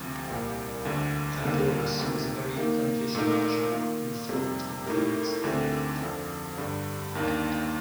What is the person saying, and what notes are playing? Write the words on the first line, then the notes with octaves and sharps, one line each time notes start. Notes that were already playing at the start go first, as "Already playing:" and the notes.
Pandorus was a very accomplished archer who fought in Homer's "Iliad".
Already playing: D2 C3 F3 C4
C2 A#2 G3
D2 D3 A3
D#2 D3 G3 A#3
D2 C3 D#3 A3
D#3 A#3 D#4
A#2 A3 D#4 A#4
D#3 A#3 F4
F2 C3 G3
A2 A3 D#4 G4 A#4
D2 D3 A3 C4
F2 D3 F3
G2 D3 G3
D#2 D#3 A#3 D4